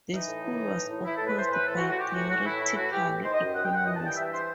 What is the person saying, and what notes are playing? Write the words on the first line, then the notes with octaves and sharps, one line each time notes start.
The school was opposed by theoretical economists.
E3 D#4
A2
E3
A2
E3
A2
E3 E4
A2 A4
B4
E3 C5
A2 B4
E3 A4
F#4
A2
F#4
E3 G4
A2 F#4
E3 F#4
A2 E4
E3 E4
A2 F#4
E3 G4
A2
D#3 C5
D#5
F#2
D#3 F#5
G5
F#2 F#5
E3 D#5
A5
G2
G5
E3 E5
C5